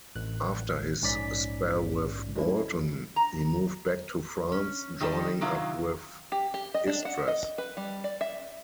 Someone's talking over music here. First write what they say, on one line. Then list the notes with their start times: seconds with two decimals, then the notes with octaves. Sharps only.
After his spell with Bolton, he moved back to France, joining up with Istres.
0.16 A1 F#6
1.02 A#1 G#2 C#4 D5 B6
2.36 F#3 G#3 A3 C#4 D4 E4
3.16 A#5
4.52 C#4
5.00 D#3 G3 D#5 A5
5.41 C3 D#3 F#3 E4 F4
6.32 G4
6.54 G4
6.74 D#5
6.87 D4
7.05 F#5
7.28 D#5
7.58 B4
7.77 G3
8.04 D5
8.21 E5